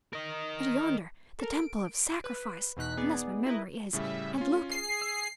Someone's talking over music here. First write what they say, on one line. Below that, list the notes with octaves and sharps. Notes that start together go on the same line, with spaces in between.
And, yonder, the temple of sacrifice, unless my memory is--and look!
A#4 D#5
A4 A#4
D7
B4
E2 B2 D#4 F#6 B6
B3 D#4 G#4 D5
E4 A#4 B4 D#5
A2 C#3 G3 E5
A3 C#4 F4
G#4 C7
E6